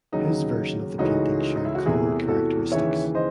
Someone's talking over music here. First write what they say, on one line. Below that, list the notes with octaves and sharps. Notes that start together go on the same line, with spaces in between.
His version of the painting shared common characteristics.
D#2 C#3 F#3 D#4
C#2 C#3 E3 A3 C#4 D#4 F#4
D#4
E4
F#4
E2 C3 E3 A3 E4 G#4
F#4 A4
D#2 C#3 E3 C#5 E5
C5 D#5